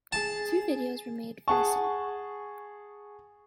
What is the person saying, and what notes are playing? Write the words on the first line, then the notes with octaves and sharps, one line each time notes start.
Two videos were made for the song.
G#4 A5
G#4 F#5 A5 C#6